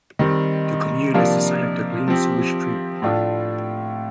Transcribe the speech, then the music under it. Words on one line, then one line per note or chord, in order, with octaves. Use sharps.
The commune is the site of the Glina sewage treatment plant.
D#3 G3 C4
C3 F3 A#3 D4 F4
F3 C4 G4
A2 A3 D4 F4